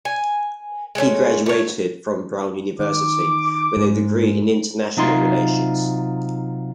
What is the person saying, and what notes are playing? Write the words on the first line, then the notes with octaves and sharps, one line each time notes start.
He graduated from Brown University with a degree in International Relations.
G#5
G#3 A3 C4 C#4
A3 C#5
D#3 D6
G#2
C3 F#3 D#4 F4 C6